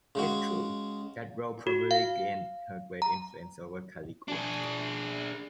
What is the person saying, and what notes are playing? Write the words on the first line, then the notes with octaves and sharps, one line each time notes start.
If true, that role probably gained her great influence over Caligula.
C#3 G#3 F#4
F#4
F5
A#5
D4 G#4